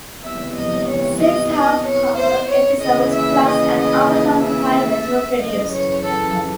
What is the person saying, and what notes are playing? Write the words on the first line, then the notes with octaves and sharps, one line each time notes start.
Six half-hour episodes plus an hour-long pilot were produced.
E2 C3 E3 E5
D#5
C#5
D#5
D#5
C#5
C5
C#5
D#2 C#3 E3 D#5
E5
D#5
D#5
D#5
E5
F#2 C#3 E3 D#5
C#5
A4